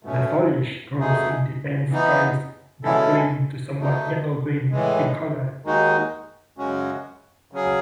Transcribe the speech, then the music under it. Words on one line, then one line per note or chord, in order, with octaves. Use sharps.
The foliage grows in dense sprays, dark green to somewhat yellow-green in color.
B2 A3 C#4
E2 B2 A3 D#4 G#4
E3 B3 D#4
B2 G#3 C#4 E4 A4
B2 A3 D#4
A2 E3 G#3
D#2 D#3 G#3 D#4 F#4
F#2 C#3 G#3 C#4 F#4
C#3 F#3 C#4 G#4